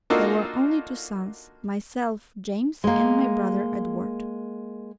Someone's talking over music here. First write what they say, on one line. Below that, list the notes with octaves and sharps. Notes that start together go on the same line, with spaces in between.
There were only two sons: myself, James, and my brother, Edward.
A#3 D4 D#4 F4 F#4 A4
G#3 A#3